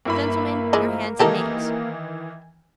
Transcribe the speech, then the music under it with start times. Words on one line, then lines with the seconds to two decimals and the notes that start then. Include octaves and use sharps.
Gentlemen, your hands and names.
0.05 G1 A#3 E4 B5
0.73 E3 F3 G#3
1.19 D#3 E3 G4 A4 A#4 D#5